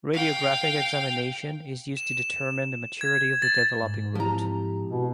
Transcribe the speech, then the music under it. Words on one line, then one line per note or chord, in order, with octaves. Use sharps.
Radiographic examination is used to determine the maturity of the developing root.
F5 G5
E7
G#6
A6
G#2
F3 C4 E4 G4 A#5
B2